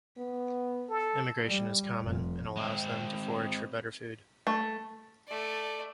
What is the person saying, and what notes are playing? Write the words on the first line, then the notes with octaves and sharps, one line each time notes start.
Immigration is common and allows them to forage for better food.
B3
A4
G3
F1
G#3 C4
A3
A3 D5